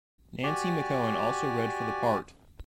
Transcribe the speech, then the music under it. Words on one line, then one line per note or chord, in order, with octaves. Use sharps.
Nancy McKeon also read for the part.
F#4 G4 D5 G#5